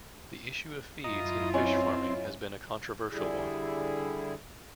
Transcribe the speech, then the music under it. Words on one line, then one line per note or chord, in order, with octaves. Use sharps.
The issue of feeds in fish farming has been a controversial one.
F#2 E4 F4 D#5 A#5
C4 C#4 C#5 D#5 G#5
D3 G3 E4 G#4